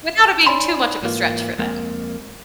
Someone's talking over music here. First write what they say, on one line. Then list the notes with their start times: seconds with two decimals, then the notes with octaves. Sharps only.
without it being too much of a stretch for them.
0.47 D#4 C#5 D5 G#5 B5 C6
1.03 G#2 E3 A#3 F4
1.59 F2 G#3 A#3